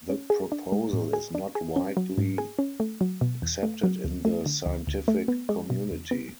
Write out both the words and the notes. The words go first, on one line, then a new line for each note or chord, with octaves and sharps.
The proposal is not widely accepted in the scientific community.
C#4
G#4
D4
G#3
A2
G#4
D4
G#4
C#4
F#3
G#2
G#4
C#4
A3
F#3
B2
E2
A3
F#3
D2
A3
D3
D2
D2
A3
B3
G#3
B2
E2
B3